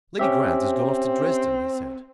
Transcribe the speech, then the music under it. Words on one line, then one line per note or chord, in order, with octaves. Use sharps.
"Lady Grant has gone off to Dresden," he said.
C4 C#4 G4 E5